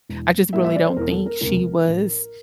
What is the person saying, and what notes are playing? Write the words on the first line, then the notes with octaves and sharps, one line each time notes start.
I just really don't think she was,
E1 E2 E3
A2 G3 A#3 E5
E5
D5
C5
E1 E2 E3 A#4
A4
A#4
E1 D2 C3 E3 A#4
A1 A2 F3